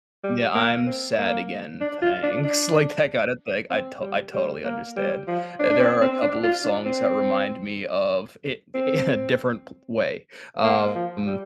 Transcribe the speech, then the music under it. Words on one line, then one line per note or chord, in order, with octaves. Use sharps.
Yeah, I'm sad again. Thanks, like, I got it like, I t I totally understand. Uh, there are a couple of songs that remind me of it in a different way. Um,
G3
A#3
C4
A#3
D4
F4
D4
D4
C4
G3
G3
A#3
G3
F3
D4
D4
C4
C4
D4
F4
D4
C4
C4
A#3
F3
G3